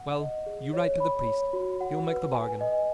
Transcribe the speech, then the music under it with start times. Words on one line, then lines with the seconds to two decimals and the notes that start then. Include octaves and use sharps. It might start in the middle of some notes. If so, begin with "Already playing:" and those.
"Well, you write to the priest; he'll make the bargain."
Already playing: F#5
0.20 D#5
0.46 G#4
0.73 C#5
1.00 B5
1.27 C#5
1.53 F#4
1.81 F#5
2.07 B4
2.34 G#5
2.61 D#5